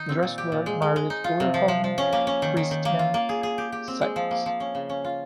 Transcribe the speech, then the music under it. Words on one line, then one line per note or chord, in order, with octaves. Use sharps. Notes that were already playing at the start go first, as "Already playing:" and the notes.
Dressler married Wilhelmine Christiane Zeitz.
Already playing: D#3 D#4
C4
A#2
G4
A#2
G#3
G#3
G#3
D#4
F4
C3
F3
F3
F3
C#4
A#3
C#4
D#3
D#3
D#3
A#3
F4
A#3
G#4
G#4
G4
G4
C4
G#3
F3
A#3
F3
C#4
C#3
C#4
F4